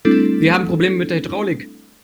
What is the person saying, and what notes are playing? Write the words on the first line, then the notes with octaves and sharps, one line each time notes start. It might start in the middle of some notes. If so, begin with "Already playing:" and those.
Wir haben Probleme mit der Hydraulik.
G3 A3 C4 D4 E4 A4